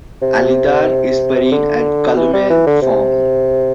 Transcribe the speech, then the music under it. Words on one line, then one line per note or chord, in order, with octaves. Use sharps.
Alydar is buried at Calumet Farm.
C3
D3
E3
G3
E3
D3
C3